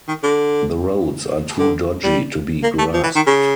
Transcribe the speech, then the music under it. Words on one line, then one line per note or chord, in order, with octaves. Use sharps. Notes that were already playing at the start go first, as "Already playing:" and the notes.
The roads are too dodgy to be grasped.
D#3
D3
D3
G3
A#3
A3
F3
E3
D#3
C#3